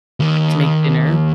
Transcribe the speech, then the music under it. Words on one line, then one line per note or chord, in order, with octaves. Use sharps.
to make dinner,
D#2 D#3